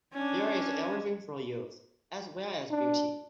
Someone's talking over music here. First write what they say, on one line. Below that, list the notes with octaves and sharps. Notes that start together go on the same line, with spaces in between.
There is every thing for use as well as beauty.
C#4 D4
D4